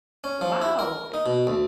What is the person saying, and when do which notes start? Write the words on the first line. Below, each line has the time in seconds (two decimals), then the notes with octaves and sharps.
Wow, it
0.24 C#4
0.41 F3
0.61 E4
0.79 A#4
1.14 D#4
1.26 B2
1.47 D2